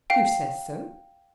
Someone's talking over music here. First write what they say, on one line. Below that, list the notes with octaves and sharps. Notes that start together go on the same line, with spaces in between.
"Who says so?"
F5 G5